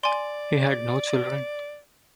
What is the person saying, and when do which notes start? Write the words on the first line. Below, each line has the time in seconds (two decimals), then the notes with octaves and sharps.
He had no children.
0.04 D5 G#5 C6